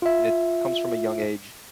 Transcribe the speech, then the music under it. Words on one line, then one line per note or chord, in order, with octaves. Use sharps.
and it comes from a young age-
F4 E5